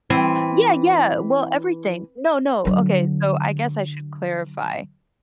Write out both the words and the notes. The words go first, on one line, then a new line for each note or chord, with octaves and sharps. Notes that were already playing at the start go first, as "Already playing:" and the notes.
Yeah, yeah. Well, everything. No, no. Okay, so, I guess I should clarify.
E3 C4
D3 F#3